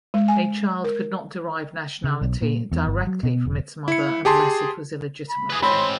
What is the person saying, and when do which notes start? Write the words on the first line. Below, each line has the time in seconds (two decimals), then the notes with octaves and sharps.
A child could not derive nationality directly from its mother unless it was illegitimate.
0.14 G#3
0.28 G#5
0.84 A#4
2.04 C#3
2.21 B1
2.42 A#2
2.72 E2
2.87 G1
3.07 F#3
3.23 B2
3.46 E1
3.88 E4 C#7
4.25 G4 G#4 A5 C6
5.30 B5
5.50 G#4 B4 D#6
5.62 G#2 C4 C#5 B5 C6